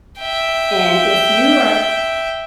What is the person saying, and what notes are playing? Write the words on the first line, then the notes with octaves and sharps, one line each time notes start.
and if you are
E5 G5